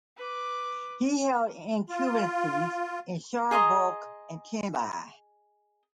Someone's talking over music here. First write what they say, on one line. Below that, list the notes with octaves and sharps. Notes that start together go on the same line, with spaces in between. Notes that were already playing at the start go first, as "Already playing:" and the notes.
He held incumbencies in Sharnbrook and Tenby.
B4 D6
F4
G#4 D#5 A#5 C6